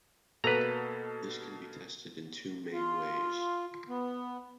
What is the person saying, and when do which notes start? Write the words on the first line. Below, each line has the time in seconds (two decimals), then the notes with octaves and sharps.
This can be tested in two main ways.
0.44 B2 A#3 A4 B4 A#5
2.73 F4
3.89 B3